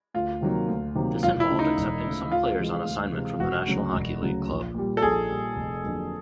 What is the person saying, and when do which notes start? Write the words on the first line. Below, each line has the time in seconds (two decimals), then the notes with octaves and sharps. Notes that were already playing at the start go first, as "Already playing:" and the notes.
This involved accepting some players on assignment from the National Hockey League club.
0.14 D2 F4
0.41 C3 D#3 F#3 A#3
0.68 D2
0.95 C3 D#3 F#3 A#3
1.23 E1 F4
1.40 E4
1.50 D2 C#3
1.59 D#4
1.77 E1
2.04 D2 C#3
2.31 D2 F4
2.58 C3 E3 G#3
2.85 D2
3.12 C3 E3 G#3
3.40 E1 F#4
3.66 D2 C#3 F#3
3.93 E1
4.21 D2 C#3 F#3
4.48 A#1
4.75 A#2 G3
4.97 A4
5.02 A#1 G#4
5.29 A#2 G3
5.56 F1
5.83 F2 D3 F#3 A#3